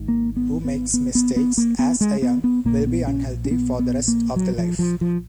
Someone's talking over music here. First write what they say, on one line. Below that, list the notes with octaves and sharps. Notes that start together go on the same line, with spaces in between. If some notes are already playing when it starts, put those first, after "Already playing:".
Who makes mistakes as a young will be unhealthy for the rest of the life.
Already playing: G#1 G#2
A#3
B3
B3
B3
B3
B3
A#3
B3
G#3
B3
B3
A#1 A#2 A#3
B3
C#4
C#4
B3
B3
A#3
F#3
F3
F3
F3